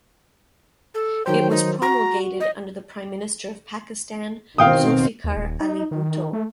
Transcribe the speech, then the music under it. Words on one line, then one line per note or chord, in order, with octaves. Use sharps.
It was promulgated under the Prime Minister of Pakistan Zulfiqar Ali Bhutto.
A4
D#3 F#3 C5 G5
D#4
F#4 A#5
D#5
B2 D#3 C4 F5 G5 D#6
D#2
D#1
D#4
D#3
A3